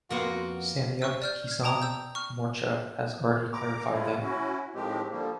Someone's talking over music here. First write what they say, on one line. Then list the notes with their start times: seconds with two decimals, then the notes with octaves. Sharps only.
Samyukt Kisan Morcha has already clarified that.
0.10 F2 A#3 B3 F4 F#4 F#5 C6
1.02 C#6 E6
1.22 D5 F6 G6
1.48 F6 G#6
1.63 G5 A5 A#5 D#6
1.82 E6 G6
2.15 C#6 F6
3.53 A#5 D6
3.93 G#3 A3 E4 F4
4.21 C#4 E4 F#4
4.75 A2 D#3 F3 G#3 C4 G4
5.11 D3 F3 G3 A#3